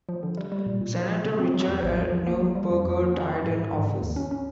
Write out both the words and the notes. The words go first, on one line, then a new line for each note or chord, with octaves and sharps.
Senator Richard L. Neuberger died in office.
F3
D3
G3
G3
A#2
A#2
F3
A#2
C#3
C4
F#3
E2
A1
F3
F3
A#3
G3
G3
F2
F2
A#3
C#4
F3
G#2
G#2
G#2
C#3
D#2
C#4
C#4